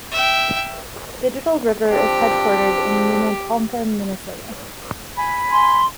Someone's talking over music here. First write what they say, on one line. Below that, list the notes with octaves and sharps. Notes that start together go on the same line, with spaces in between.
Digital River is headquartered in Minnetonka, Minnesota.
E5 G5
F3 C4 D4 G4
G#5 B5
C6